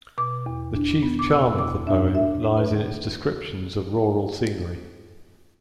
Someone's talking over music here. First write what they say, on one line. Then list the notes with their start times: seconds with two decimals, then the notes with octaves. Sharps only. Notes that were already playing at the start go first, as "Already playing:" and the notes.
The chief charm of the poem lies in its descriptions of rural scenery.
0.18 B2 D6
0.46 E2
0.75 D4
1.02 B3
1.19 D6
1.30 B2 E6
1.47 E6
1.59 E2 D6
1.87 D4 E5
2.15 D4 E5
2.43 A3
2.57 B4
2.71 D3